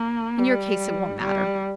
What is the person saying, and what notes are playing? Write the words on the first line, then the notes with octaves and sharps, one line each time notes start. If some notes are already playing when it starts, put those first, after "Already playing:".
In your case, it won't matter.
Already playing: A#3
G3
G3